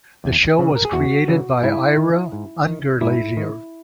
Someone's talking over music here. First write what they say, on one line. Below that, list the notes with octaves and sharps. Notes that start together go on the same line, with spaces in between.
The show was created by Ira Ungerleider.
E2
C#3 E3
A#4
G#4
E2 F#4
C#3 E3
G#2 E4
D#3
G#2
D#3
G#2 E4
D#3